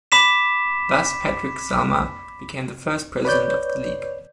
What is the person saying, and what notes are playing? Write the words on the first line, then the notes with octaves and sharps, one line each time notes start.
Thus, Patrick Celma became the first president of the league.
B5 D6 B6 E7
B4 C#5 D5 G6